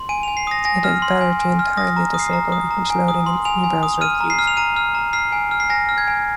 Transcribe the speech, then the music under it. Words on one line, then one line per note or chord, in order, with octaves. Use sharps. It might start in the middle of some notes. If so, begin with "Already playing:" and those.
It is better to entirely disable image loading in any browser used.
Already playing: C6
G#5 D#7
G#5 F7
C7
D#6 A#6
G#5 A#6
F6
C6
G#5
G#5
F6
D#6 A#6
A#5
D#6
C7
A#5
D#6
A#5
G#5
D#6
C6
G#5 F7
G#5
D#6
F6 D#7
A#5
C7
F6
F7
A#5 D#7
F6
A#5
F6 C7
G#5
F6
C7
G#5 A#6
F6
G#6
G#5